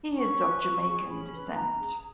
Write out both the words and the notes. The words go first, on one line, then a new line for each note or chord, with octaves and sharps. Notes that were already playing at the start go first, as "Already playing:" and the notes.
He is of Jamaican descent.
C#4 C#6
B4
C#4
G#4
C#4 B5
B4
C#4 A#5
G#4